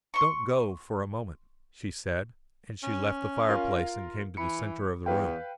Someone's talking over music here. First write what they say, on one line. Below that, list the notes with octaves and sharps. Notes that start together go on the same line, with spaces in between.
"Don't go for a moment," she said, and she left the fireplace and came to the centre of the room.
C6 C#6
C#4
F4 A#4 F5
E3 B5 C#7
E2 B4 F5 G5